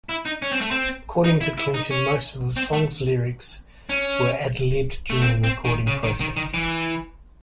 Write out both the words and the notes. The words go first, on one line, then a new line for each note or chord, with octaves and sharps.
According to Clinton, most of the song's lyrics were ad-libbed during the recording process.
E4
D#4
C#4
C4
A3
C4
D#4
E4
E4
D#4
C#4
C4
A3
C#4
A3
C4
C4
D#3
C#3
D#3
D#3
D#3
E3